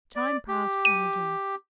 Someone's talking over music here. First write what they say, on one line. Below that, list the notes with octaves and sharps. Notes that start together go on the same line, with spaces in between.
Time passed on again.
D5
G4
D#7